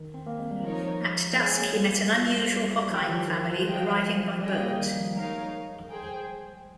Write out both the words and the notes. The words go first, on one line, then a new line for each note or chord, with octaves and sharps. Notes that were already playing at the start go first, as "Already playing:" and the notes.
At dusk, he met an unusual Hokkien family arriving by boat.
Already playing: D#3
C4
A#3
G#3
G3
F3 D#4 A#4 C#5
A#3
G#3 G#4 C#5 G#5
A#3
G3
F4 C5 F5
G3
G3
F3 D#4 G4 C#5 G5
D#3
F3
D#3
F3
F4 C5 D#5 G5
G3
G3 C#4 G#4 D#5 G5
A#3
D#3
F3
G#3 D#4 A#4 C#5 F5
G#4 C5 G5